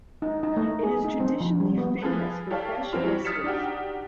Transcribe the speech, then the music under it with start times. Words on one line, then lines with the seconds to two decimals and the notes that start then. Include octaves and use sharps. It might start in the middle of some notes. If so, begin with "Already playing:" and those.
It is traditionally famous for fresh oysters.
0.22 D#4
0.43 D#4
0.57 A3
0.83 G#4
1.04 D#4
1.20 C4
1.41 F3
1.60 G3
1.78 B3
2.01 F3 F4 G#4 A4 B4
2.51 G4 A4 C#5 D5 F5 A5
2.93 E3 F#3 C4 C#4 F4
3.07 G3 D5 C#6
3.25 D#6 F6 A6 B6 C#7 E7
3.44 D4 D#4 F#4 G4